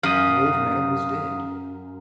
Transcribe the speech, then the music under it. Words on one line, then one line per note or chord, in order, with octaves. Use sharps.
The old man was dead.
F#2 F5 D#6